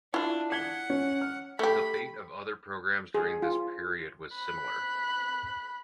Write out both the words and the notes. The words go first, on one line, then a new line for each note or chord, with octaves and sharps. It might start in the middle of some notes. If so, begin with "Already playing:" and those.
The fate of other programs during this period was similar.
D4 E4 F4
F#5 G#6 B6 G7
C#4
F6
A3 G4 B5
G#4
F4
B5 F#6